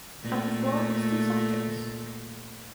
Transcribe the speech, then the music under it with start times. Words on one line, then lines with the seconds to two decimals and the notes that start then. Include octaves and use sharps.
Upper floor has two sections.
0.23 A#2 A3